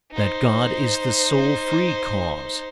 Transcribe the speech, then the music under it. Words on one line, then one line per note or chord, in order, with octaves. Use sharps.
That God is the sole free cause.
D#4 C5